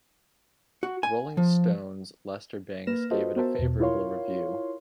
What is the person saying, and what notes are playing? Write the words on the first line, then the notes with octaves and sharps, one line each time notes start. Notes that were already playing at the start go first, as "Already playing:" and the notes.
"Rolling Stone"'s Lester Bangs gave it a favorable review.
F#4
G#5
F3
A#3 B4 F6 A#6 E7
F4 F#4 A4 B4 C5 D#5
B3 F#4 A#4 C5 E5 A5
E2 B2
E4 F4 A#4 C#5 F5 C6